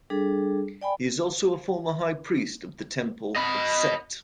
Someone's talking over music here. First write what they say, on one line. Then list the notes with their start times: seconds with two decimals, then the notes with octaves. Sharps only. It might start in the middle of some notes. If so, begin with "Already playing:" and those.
He is also a former High Priest of the Temple of Set.
0.10 G3 D4 G#4 A4
0.81 D5 G5 G#5 B5
3.36 D#5 B5